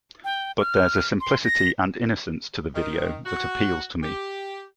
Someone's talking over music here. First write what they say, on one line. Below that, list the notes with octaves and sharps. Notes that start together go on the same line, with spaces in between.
But there's a simplicity and innocence to the video that appeals to me.
G5
F6
C6
A#6
D#3
F#4
G4